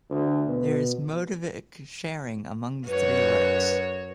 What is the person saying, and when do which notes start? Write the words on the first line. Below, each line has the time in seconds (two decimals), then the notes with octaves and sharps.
There is motivic sharing among the three works.
0.10 D2
0.47 B2
2.86 F#2 F#4 B4 C#5